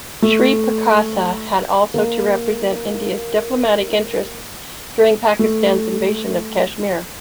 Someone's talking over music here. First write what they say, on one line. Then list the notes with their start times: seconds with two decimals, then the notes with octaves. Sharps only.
Sri Prakasa had also to represent India's diplomatic interests during Pakistan's invasion of Kashmir.
0.22 A3
1.94 A#3
5.39 A3